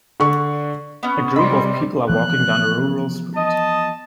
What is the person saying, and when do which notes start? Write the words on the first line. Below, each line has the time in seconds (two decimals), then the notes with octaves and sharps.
A group of people are walking down a rural street.
0.20 D3 D4 C#6
1.03 B3 C#4
1.36 C3 G3 D#5 B5 C6
2.10 E3 F3 B3 F#6
3.36 D#5 A5